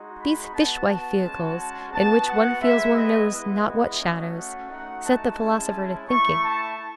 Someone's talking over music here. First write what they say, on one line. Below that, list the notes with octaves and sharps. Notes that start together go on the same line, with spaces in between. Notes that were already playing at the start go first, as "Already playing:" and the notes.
These fishwife vehicles, in which one feels one knows not what shadows, set the philosopher to thinking.
Already playing: G#3 D#4 F#4
B5
B3 F#4 A5
A5
G#3 C#4 F#4
B3 F#4 A5
F#5
G#3 B3 E4 E5
D#5
G#3 B3 E4
D#5
A3 C#4 F#4
F#5
A3 D#4 F#4 F#5
A5
G#3 C#4 E4
A3 E4 C#6
A5